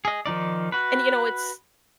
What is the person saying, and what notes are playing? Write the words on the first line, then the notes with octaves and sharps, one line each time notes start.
and you know, it's
G#4 D#5
D#3 F3 D#4 D5
F#4 B4